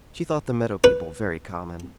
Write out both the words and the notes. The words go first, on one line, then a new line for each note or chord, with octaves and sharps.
She thought the meadow people very common.
B4